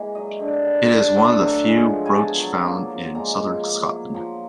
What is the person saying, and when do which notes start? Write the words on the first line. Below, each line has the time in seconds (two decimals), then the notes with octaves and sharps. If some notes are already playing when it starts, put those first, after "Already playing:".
It is one of very few brochs found in southern Scotland.
Already playing: E3 G#3 A#3
0.15 F#3 D#5
0.40 D3
0.65 G3
0.91 D3
1.15 A3 E5
1.40 F#3
1.65 G#3
1.90 F3
2.05 G#5
2.15 B3 A5
2.39 F#3
2.65 A#3
2.90 F3
3.15 G#3 A#5
3.39 F3
3.65 A#3
3.89 F#3
4.14 F3 A#5